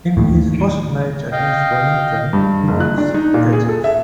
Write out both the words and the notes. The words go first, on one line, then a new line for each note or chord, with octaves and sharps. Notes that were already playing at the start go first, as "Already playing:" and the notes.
In his first match against Wellington he took six catches.
D#2 A2
D#5 F5 G5
G2
F#1
F#6
D4
D#4
A#2
G#4
A4
E5